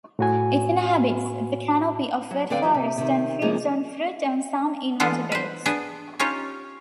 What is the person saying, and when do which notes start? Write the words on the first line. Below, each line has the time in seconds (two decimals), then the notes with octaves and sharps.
It inhabits the canopy of wet forest and feeds on fruit and some invertebrates.
0.19 A2 F#4 G#5
2.31 F#3
2.50 D3 C4 B4 D5 F5 G5
2.62 E3 F3 G3
2.74 C3
2.98 C3 D#3
3.42 F3 G#3 A#3 C#4
5.00 E3 G#3 B3 D4 F4 A4
5.32 B4 C5
5.66 B3 D4 G#4
6.19 C#4 D#4 F4 G4 C#5